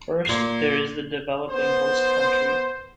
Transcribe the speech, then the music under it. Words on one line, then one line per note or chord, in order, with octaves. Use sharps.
First, there is the developing host country.
A#2 C7
B3 C5